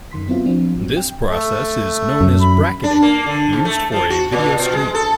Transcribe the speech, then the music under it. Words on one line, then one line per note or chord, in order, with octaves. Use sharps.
This process is known as bracketing used for a video stream.
F#2 D#3 C6 B6
F#3 B3 C4 E4 F4
F3 C4 D4
A1 F#3
G5
A3
F#2
B5
D4
A#3
D3
G#2
A3
F3
F#4
A#2
B2
G#3
A4